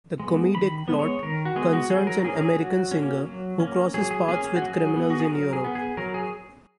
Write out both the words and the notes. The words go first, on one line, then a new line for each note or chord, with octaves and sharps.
The comedic plot concerns an American singer who crosses paths with criminals in Europe.
G#3 B3
D#3 B5
G#3 B3
C#5
D#3 A#4
F#4
G#3 B3 G#4
F#4
F#3 G#4
A#4
A#4
A#3 C#4 G#4
A#4
G#4
F#3 F#4
A#3 C#4
F#3
A#3 C#4
F#3 G#4
G#4
A#3 C#4 G#4
G#4
F#4
F#3
G#4
B3
F#4
G#4
F#3 A#4
G#4
B3
G#4
F#3 A#4
G#4